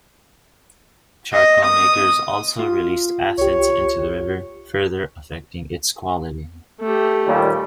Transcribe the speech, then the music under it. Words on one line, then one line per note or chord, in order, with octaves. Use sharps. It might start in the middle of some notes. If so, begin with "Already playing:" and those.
Charcoal makers also released acids into the river, further affecting its quality.
D#5
D#6
F4
C2 G4 C#5
A3 G4
D#2 A#2 G3